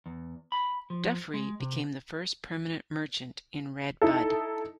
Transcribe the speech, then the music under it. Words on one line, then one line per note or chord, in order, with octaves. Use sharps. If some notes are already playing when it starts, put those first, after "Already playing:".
Dufree became the first permanent merchant in Red Bud.
E2
B5
F3
G#3
C3
D#4 E4 A4